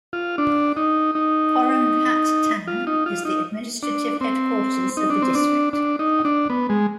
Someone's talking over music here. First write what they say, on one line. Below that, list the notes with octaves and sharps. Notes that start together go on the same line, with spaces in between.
Porompat town is the administrative headquarters of the district.
F4
D4
D#4
D#4
F4
D#4
F4
D#4
D4
C4
D#4
D4
C4
D4
D4
D#4
D4
B3
G#3